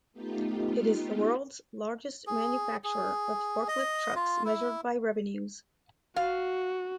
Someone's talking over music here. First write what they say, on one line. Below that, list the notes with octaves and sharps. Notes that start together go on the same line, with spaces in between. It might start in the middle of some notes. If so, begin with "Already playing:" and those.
It is the world's largest manufacturer of forklift trucks measured by revenues.
A3 B3 D#4 F4 G4
G#4
G#4
D#5
F4
E4
F#4 F5